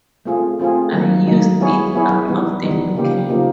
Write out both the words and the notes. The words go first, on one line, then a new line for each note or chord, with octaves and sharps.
I used it out of the new can.
A3 C4 F4 G#4
A3 C4 F4 G#4
D#3 F#3 A#3 D#4
D#3 F#3 A#3 D#4
B3 E4 G#4 C#5
B3 E4 G#4 C#5
E3 G3 B3 D#4
E3 G3 B3 D#4
C#3 F3 A#3 D#4 G4
C#3 F3 A#3 D#4 G4